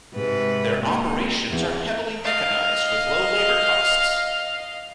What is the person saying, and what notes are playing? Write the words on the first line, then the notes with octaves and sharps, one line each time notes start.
Their operations are heavily mechanized with low labor costs.
G#2 C3 B4
A#3 D#4
C4
E2
D#5 F5